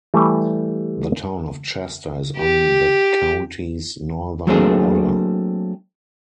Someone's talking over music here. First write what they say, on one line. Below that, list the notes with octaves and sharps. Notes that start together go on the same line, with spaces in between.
The Town of Chester is on the county's northern border.
E3 G3 A3
G4
F#3 A3 A#3 C4 D4 G#4